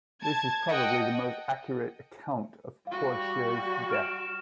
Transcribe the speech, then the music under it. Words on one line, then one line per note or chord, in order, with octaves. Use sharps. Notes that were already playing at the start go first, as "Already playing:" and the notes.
This is probably the most accurate account of Porcia's death.
A5 G#6
D#5 F#5 G5
G3 F#4 F5
F6 D7 E7